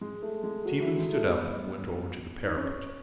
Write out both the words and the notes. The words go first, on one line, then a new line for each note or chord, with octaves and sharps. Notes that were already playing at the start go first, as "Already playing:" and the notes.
Stephen stood up and went over to the parapet.
G#3
A3
G#3
F#3
E3
G#3
A3
B3
D#4
C#4